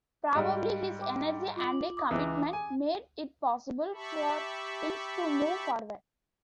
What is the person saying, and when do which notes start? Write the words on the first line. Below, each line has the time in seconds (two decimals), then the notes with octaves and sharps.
Probably his energy and commitment made it possible for things to move forward.
0.35 G#2 G3 D#5 F5
1.01 G5 D6
1.56 F4 D6 F#7
1.97 D6 D#6
2.11 C#2 E3
2.53 G#5
3.94 G4 E5 A5 B5 C#6